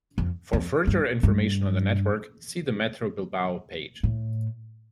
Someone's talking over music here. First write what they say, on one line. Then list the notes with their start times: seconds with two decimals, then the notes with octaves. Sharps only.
For further information on the network, see the Metro Bilbao page.
0.18 F2
0.53 F2
0.87 G2
1.23 G2
4.03 A2